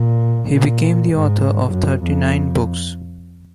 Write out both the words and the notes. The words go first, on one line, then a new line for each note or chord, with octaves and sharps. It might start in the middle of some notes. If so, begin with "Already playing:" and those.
He became the author of thirty-nine books.
Already playing: A#2
A#2
G#2
F#2
F2